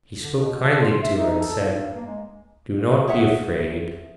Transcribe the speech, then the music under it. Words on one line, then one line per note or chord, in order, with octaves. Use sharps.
He spoke kindly to her, and said: 'Do not be afraid.
D3
B2
A5
C6
E5
D#4
A4
G#2
G2
A#3
G#3
G#4 C#5 E5 F#5